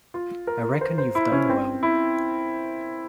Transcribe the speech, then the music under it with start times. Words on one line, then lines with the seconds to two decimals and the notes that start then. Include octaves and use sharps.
I reckon you’ve done well.
0.14 F4
0.47 A#4
0.81 C5
0.98 C5
1.15 E4
1.32 C#4
1.49 C4
1.83 E4